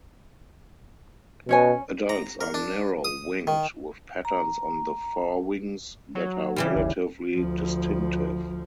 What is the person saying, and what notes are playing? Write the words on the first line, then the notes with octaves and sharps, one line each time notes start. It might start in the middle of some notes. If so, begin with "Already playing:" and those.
Adults are narrow winged with patterns on the forewings that are relatively distinctive.
B2 C#4 C#5 G#5
A#5
A#4
D4
D#6
D#3
A#5
F#3
C#3 E3 G3
G1 D#2
D2 F3